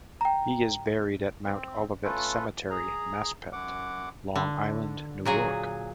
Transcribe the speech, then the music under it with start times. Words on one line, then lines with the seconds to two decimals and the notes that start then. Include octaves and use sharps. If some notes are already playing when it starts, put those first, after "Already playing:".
He is buried at Mount Olivet Cemetery, Maspeth, Long Island, New York.
0.21 G5 A#5
1.44 C4
2.04 A3 C#4 F4 A4 B4
2.71 G#4 A#5
3.53 F#2 F#5 D6
4.36 D3
5.25 A#2 F#3 G#4